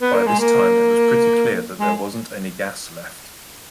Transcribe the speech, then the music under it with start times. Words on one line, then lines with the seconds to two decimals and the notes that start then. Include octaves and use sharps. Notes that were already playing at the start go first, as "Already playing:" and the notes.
By this time it was pretty clear that there wasn't any gas left.
0.01 B3
0.14 A#3
0.27 G#3
0.39 A#3
1.79 G#3